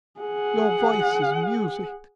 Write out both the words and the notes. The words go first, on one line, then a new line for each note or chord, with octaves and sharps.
"Your voice is music."
G#4 F#5